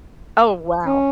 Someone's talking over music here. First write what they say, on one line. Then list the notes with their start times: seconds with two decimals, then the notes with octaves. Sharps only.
Oh, wow.
0.86 C#4